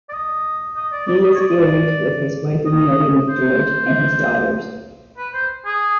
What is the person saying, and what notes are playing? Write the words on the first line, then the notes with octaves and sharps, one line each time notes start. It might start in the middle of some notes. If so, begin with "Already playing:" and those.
He is buried with his wife Emilia MacGeorge and his daughters.
D5
D#5
D#5
D5
D5
D#5
C#5
D5
D#5
C5
B4
C5
G#4